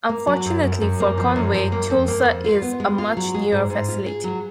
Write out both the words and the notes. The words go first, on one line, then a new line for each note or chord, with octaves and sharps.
Unfortunately for Conway, Tulsa is a much newer facility.
A#3
F#3
F#2
F#2
F#2
A#3
F3
F#2
F#2
A#3
F2
A#3
F2
F4
B3
G#3
F4
F#3
G#4
G#2
G#2
F4
G#4
F#3